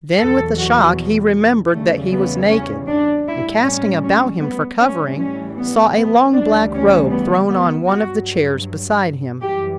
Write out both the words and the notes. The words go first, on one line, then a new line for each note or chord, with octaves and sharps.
Then with a shock he remembered that he was naked, and casting about him for covering, saw a long black robe thrown on one of the chairs beside him.
E2 B2 F#3 A4
F#4
E2 C#3 E3 G3 A3
B3
C#4
D4
A2 G3 E4
C#4
C#4
B3
A2 E3 G3 C#4
C#4
B3
B3
D2 C#3 E3 G3 D4
C#4
B3
B3
G2 F#3 F#4
F#2 E3 G3 G4